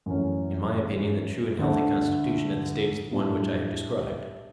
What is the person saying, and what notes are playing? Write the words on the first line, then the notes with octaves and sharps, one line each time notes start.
In my opinion the true and healthy constitution of the State is the one which I have described.
F#2 E3 A3 C#4
D2 D3 A3 D4
A2 G3 D4